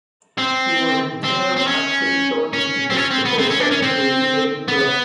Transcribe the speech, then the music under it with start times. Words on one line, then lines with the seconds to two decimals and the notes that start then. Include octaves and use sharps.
He was interred at Saint John's Episcopal Cemetery in Edinburgh.
0.38 C4
1.24 C4
1.56 C4
1.67 C#4
2.53 C#4
2.90 C4
2.96 C#4
3.11 C4
3.25 B3
3.39 C4
3.50 C#4
3.60 D4
3.71 C#4
3.82 C4
4.68 B3